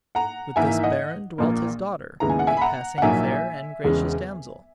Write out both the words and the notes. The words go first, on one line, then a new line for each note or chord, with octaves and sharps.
With this baron dwelt his daughter, a passing fair and gracious damsel.
F#5 A#5
G#1 G#2 E3 A#3 E5 G#5
D#5 F#5
A#1 A#2 A#3
D#2 C#3 G#3 B3 E4 A#5
G#5
F#5
E5 G#5
B5
F#5 A#5
F#5
A#1 A#2 F#3 A#3 D#4 E5 G#5
E1 E2 C#3 G#3 C#4